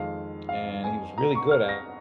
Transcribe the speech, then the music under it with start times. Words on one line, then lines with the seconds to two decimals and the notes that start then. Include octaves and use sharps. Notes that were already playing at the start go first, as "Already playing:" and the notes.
and he was really good at
Already playing: F2 D#3 G#3 F5
0.49 F5
0.84 G#5
1.18 A#5
1.35 C#6
1.51 F6
1.69 A#6